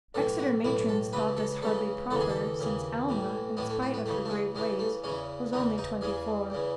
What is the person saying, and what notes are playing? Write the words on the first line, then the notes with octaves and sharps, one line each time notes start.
Exeter matrons thought this hardly proper, since Alma, in spite of her grave ways, was only twenty-four.
B1 A2 E3 A4
F#4
B1 A2 E3 E4
A4
C#2 C#3 E3 B4
A4
C#2 C#3 E3 A4
D#2 C#3 E3 A4
G#4
A4
D#2 C#3 E3
B1 A2 E3
B1 A2 E3 B3
A3
B3
B3
C#2 C#3 E3 A3
A3
G#3
C#2 C#3 E3 G#3
A3
E2 C#3 E3 C#4
E2 C#3 E3 D#4
D#4
E2 C#3 E3 G#4
E2 C#3 E3